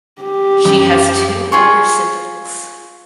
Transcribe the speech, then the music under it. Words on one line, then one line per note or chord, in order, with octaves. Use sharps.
She has two older siblings.
G4
F#2
F4 G#4 C#6